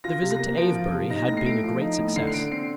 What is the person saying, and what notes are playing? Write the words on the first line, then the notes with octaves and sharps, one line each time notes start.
The visit to Avebury had been a great success.
F4 A#6
C3
A#6
A#3
F3 D7
F4
C3
D#4 A#6
A2 A#6
C7
A3 D7
F3
D#4
A2
D3 C7
C7
D3 D7
C4 C7